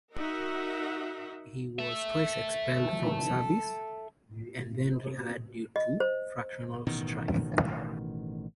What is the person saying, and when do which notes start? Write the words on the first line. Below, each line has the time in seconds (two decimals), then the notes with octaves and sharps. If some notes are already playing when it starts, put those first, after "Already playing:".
He was twice expelled from service and then re-hired due to factional strife.
0.15 D#4 F#4 A#4 E5 F#5
1.79 A4 E5
5.76 D#5
6.00 C5
6.87 A1 B2 D#3